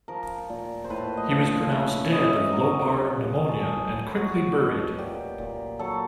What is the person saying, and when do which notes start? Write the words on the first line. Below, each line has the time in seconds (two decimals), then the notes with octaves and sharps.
He was pronounced dead of lobar pneumonia and quickly buried.
0.08 F3 A#4
0.49 A#2
0.84 C5
0.90 A2 B4
1.17 D#5
1.31 F3
1.45 F5
1.71 C#3 E5
2.12 C#3 D#5
2.24 E5
2.36 D#5
2.52 F#3 A#4
2.93 B2
3.35 F#3 G#4
3.48 A4
3.61 G#4
3.76 A2
4.16 F#3 F#4
4.58 B2
4.98 A#2 G4
5.39 A#2
5.79 F#3 A4